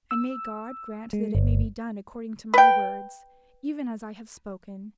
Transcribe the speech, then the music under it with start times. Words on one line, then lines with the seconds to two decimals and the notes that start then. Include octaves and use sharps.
And may God grant that it may be done according to my words, even as I have spoken.
0.11 E6
1.13 G#3
1.35 G1
2.54 B4 G5